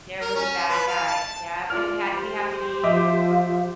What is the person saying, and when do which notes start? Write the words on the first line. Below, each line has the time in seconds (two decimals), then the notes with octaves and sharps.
There was a bad guy, yep, and we had we have to be
0.21 A#4
0.35 C#4
0.69 B4
0.87 F5
1.07 A5
1.70 F4 D5 F6
2.11 G4 C5
2.84 F3 D#5 E5 D6